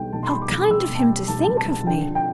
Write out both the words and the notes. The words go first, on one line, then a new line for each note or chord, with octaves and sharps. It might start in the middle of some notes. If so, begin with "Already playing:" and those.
'How kind of him to think of me!
Already playing: B1 B2 G3 G5
B1 A5
C6
B5
G3
D6
B1
B1 E6
B2
A5
G5
G3
B1 A5
A5
B1
A5
B1 A5
D3 G5
F3
G5